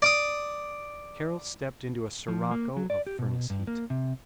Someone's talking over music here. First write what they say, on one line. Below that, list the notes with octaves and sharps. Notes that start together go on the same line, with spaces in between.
Carol stepped into a sirocco of furnace heat.
D5 D6 D#6
F3
A#3
F#3
D5
G4
B2
G2
A#3
C3